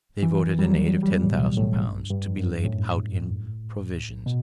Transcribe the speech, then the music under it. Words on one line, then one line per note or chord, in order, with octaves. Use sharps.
They voted an aid of ten thousand pounds, to be laid out in provisions.
E3
G3
F#3
G3
A2
B2
A2
G2
G2
F#2
A2
B2